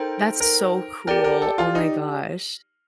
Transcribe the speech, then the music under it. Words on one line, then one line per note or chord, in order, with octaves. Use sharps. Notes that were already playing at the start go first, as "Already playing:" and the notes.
That's so cool, oh, my gosh.
Already playing: D#4 A4 A#4 C5 G5
A#4
G4 A#4 D5 G5
A#4
A4
F4
D#4